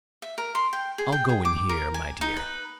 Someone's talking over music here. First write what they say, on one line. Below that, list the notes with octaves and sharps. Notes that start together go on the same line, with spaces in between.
"I'll go in here, my dear."
E5
A#4
C6
G5
G#4
G5
G#4
D6
A#4
G#5
D#4
B4